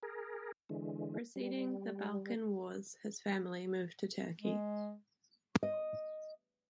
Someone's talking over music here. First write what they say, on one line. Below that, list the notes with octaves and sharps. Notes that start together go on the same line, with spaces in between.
Preceding the Balkan Wars, his family moved to Turkey.
G#4 A#4
D3 E3 G#3
G3
G#3
D#5